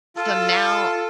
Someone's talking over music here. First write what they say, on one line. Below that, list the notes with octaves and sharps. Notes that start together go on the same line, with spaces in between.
So now
F4 A4